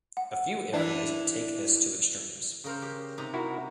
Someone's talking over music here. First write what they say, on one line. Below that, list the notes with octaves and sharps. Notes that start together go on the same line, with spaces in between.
A few areas take this to extremes.
F#5
E3 D4 E4
C#3 A#4 C5
G4
C3 D#4
E4 F#4 A#4